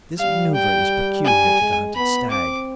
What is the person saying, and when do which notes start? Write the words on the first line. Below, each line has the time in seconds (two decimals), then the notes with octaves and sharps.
This manoeuvre is peculiar to the hunted stag.
0.19 G3 F5
0.55 G5
1.25 G#5
1.61 G#3
1.95 B3 B5
2.30 C4 D6